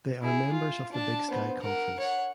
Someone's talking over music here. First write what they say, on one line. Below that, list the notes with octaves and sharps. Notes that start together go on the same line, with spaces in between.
They are members of the Big Sky Conference.
E4 G#4
F4
D4 A5
B3 C5
A#4 F#5
C#5 F#5